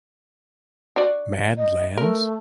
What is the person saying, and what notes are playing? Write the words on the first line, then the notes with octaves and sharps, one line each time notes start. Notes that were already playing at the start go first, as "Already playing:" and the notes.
Mad Lands?
D4 F#4 D5
D#5
A3 A#4